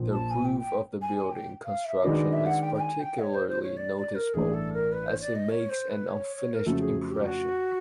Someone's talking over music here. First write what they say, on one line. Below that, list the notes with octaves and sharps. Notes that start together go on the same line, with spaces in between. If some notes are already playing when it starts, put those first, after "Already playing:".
The roof of the building construction is particularly noticeable, as it makes an unfinished impression.
Already playing: A#1 A#2 F3
A5
G#5
G5
G5
G#5
G#5
G5
F5
E5
D#3 G#3 B3 D4 F#4 D#5
D#5
E5
F#5
G5
G5
G#5
G5
C#5
C5
C5
C#5
D5
D5
A#4
A1 G2 E3 A3 D4 G#4
A4
A#4
B4
C5
C#5
D5
D#5
C#5
C5
B4
C#5
C#5
A#4
F2 C#3 F#3 A3 A4
G#4
G4
F#4